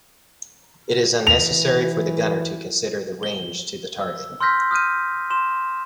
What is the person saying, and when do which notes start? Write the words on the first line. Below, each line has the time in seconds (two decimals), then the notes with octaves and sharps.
It is unnecessary for the gunner to consider the range to the target.
1.27 E3 F7
3.23 G7
4.01 E6
4.41 C6 E6 F6 G6 A#6 B6
4.71 D#6 F6 G6 D#7
5.30 C6 E7